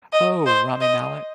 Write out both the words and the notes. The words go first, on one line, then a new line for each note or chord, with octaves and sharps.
Oh, Rami Malek?
D#5
C5
D#5